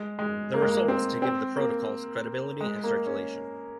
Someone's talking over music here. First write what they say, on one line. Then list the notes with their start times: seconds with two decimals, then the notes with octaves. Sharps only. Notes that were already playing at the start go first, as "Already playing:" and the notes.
The result is to give "The Protocols" credibility and circulation.
Already playing: G#3
0.19 G#3
0.54 A#3
0.62 G#3
0.71 A#3
0.88 C4
1.22 C4
1.57 A#3
2.61 G#3
2.84 A#3
3.06 C#4